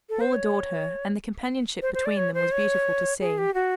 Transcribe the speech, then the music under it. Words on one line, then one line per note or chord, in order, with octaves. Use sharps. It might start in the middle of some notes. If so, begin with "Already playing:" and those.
Paul adored her, and the companionship between them was beautiful to see.
A4
C5
C#5
C5
C5
D5
C#5
C5
C#5
G#4
G4
F#4